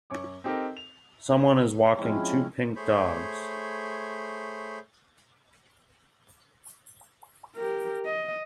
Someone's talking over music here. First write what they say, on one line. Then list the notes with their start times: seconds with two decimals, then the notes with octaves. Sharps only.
Someone is walking two pink dogs.
0.10 F#2 C#5 D6
0.44 C4 D#4 G4 A4 A#4 D#5
0.77 F7
1.98 F3 G#3 C4 C#4 E4
2.75 A3 G#4 C5 C#5 B5
7.57 G4 A#4
8.05 D#5